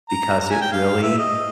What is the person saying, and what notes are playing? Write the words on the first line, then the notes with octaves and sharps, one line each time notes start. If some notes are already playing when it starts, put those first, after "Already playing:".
"because it really"
A#5
A#5
G#5
G5
F5
E5
D#5